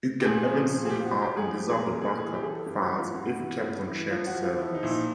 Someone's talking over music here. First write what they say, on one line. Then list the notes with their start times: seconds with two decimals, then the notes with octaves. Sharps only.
It can even seek out and disable backup files if kept on shared servers.
0.21 G4
0.25 A#2 G#4
0.50 F3
0.73 A#2
0.85 G#4
0.90 G4
0.98 F3 F4
1.05 F#4
1.22 F3 G4
1.37 G#4
1.46 F3
1.53 G4
1.70 A#2 G#4
1.86 A#4
1.94 A#2
2.01 G#4
2.18 E3 G#4
2.34 G4
2.42 E3 G#4
2.50 A4
2.66 G2 G4
2.82 F#4
2.90 E3
2.98 F4
3.14 G2 F#4
3.38 E3
3.62 G2
3.87 E3
4.10 F3 F4
4.27 F#4
4.35 F3
4.43 F4
4.58 F3 E4
4.75 D#4
4.83 A#2 E4
4.91 D#4